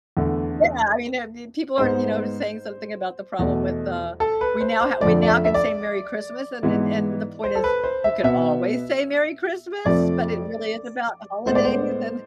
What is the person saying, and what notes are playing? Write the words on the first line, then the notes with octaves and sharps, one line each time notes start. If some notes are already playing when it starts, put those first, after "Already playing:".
yeah, you know, there people aren't, you know, saying something about the problem with, uh we now ha we now can say, "Merry Christmas," and and and the point is we could always say, "Merry Christmas," but it really is about holidays, and
E2 D3 A3
G#2 G#3 B3 C5
E2 B2 A3
A4
B4
C5
C5
F2 D3 F3 A3 D5
D5
E5
E5
D5
G#2 E3 G#3 B3
C5
A4
B4
C5
E5
B2 B3 E5
F2 C3 F3 A3 D5
A2 G#3 B3 C5
D5
C5